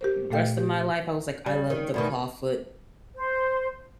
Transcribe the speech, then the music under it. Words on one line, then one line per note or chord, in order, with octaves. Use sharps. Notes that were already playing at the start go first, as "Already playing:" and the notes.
rest of my life, I was like, "I love the clawfoot
G4 A#4 C5
A#2 A3 A4 F5 G5 G6
G4
G3
D#3
D2 B2 D#3
C5